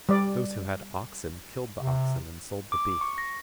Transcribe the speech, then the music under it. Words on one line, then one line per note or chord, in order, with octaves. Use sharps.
Those who had oxen killed the oxen and sold the beef.
G3 D5
C3
D6
C#6
A#6